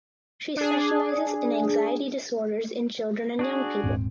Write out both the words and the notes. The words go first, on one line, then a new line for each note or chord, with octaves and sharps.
She specialises in anxiety disorders in children and young people.
D4 G#4
D4 F#4 G#4
D#1 G#2 C4